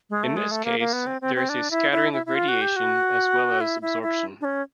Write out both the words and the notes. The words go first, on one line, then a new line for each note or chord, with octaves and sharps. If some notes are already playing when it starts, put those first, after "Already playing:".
In this case, there is scattering of radiation as well as absorption.
G#3
A3
G#3
A3
A#3
A#3
B3
C4
C4
C4
D4
E4
E4
E4
E4
F4
F#4
G4
F#4
E4
E4
E4
D4
C#4